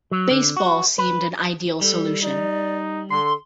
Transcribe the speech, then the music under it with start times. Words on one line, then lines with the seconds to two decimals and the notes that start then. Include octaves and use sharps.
Baseball seemed an ideal solution.
0.11 F#3
0.31 D3
0.57 F#4
0.98 B4
1.81 G3 A4
2.23 D#4 D5
3.10 D3 A4 C6